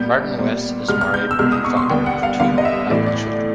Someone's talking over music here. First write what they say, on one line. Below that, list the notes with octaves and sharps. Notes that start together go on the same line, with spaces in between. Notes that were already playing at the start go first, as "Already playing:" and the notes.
Martin Weiss is married and father of two adult children.
Already playing: A#2 G3 B3 G6
A#2 G3 B3
C2 B2 G#3 B3 F6
F6
G6
E6
C2 B2 G#3 B3 F6
D#6
C#6
C6
D#2 D3 G3 B3 G5
F#5
F5
D#2 D3 G3 B3 F5
D#5
E5
A2 E3 A3 D5
D5